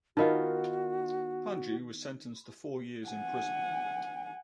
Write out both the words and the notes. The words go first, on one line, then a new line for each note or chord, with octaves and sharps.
Panju was sentenced to four years in prison.
D#3 B3 D#4 F4 F#4 A#4 D#5
F#5 G#5